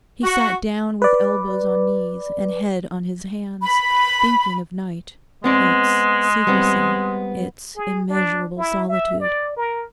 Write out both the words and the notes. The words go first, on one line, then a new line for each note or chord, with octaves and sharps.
He sat down with elbows on knees and head on his hands, thinking of night, its secrecy, its immeasurable solitude.
F#4
B4 D5
B5
G#3 B3 C4 D5
G3 B3 C4
G#4
D4
E4
E5
D5
A#4